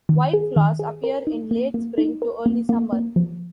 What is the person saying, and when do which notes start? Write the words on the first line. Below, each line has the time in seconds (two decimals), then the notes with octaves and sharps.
White flowers appear in late spring to early summer.
0.09 D#3
0.33 G#4
0.56 D#3
0.79 G#4
1.04 A#4
1.27 D#4
1.51 A#3
1.74 A#3
1.98 D#4
2.22 A#4
2.46 A#3
2.69 A#3
2.93 A#3
3.16 F3